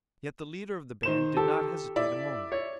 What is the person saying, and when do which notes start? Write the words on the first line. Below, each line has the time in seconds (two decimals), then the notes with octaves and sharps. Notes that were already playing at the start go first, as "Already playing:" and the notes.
Yet the leader of the band did not hesitate a moment.
1.03 D#3 C5 E7
1.37 G4 A4
1.96 E4 D5 E5
2.52 C#5